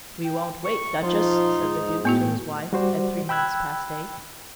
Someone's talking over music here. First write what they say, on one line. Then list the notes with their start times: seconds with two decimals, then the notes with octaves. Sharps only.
"We won't wait, Duchess," said the Duke to his wife at three minutes past eight.
0.25 G5
0.65 C#6
1.03 F3 D#4 F4
1.61 G#2
2.05 A2 B3 E4 F#4 G5
2.73 G3 F#4 C5 D5
3.29 G5 B5 E6 F#6 G#6